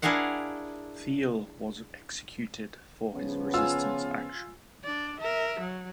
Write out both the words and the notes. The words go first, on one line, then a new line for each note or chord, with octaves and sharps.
Thiel was executed for his resistance action.
D4 E4 G#4 A#4 F5 F#5
C#3 F3 B3 C#4
F4 G#5 E6
D4 D5
A#4 E5
F#3